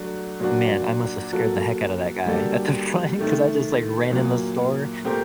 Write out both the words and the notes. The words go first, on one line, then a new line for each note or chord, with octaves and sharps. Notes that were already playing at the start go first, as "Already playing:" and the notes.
man, I must have scared the heck out of that guy at the front 'cause I just, like, ran in the store.
Already playing: F#3 A3 D4 F#4
A#2 F#3 A#3 D4 F#4
F#3 A#3 F#4 A4
D3 G3 A#3 F#4 A4
C3 D#3 A3
A#2 F#3 A#3
A#2 A3 C4 G4 A#4